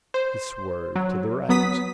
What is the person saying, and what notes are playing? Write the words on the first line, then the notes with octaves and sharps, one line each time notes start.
He swerved to the right.
C5
F#3
F#3 B3 D#6 B6